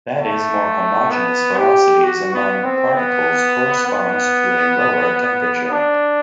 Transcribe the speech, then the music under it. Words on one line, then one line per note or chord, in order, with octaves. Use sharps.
That is, more homogeneous velocities among particles corresponds to a lower temperature.
A3
B3
G4
F#4
B3
C4
B3
B3
D4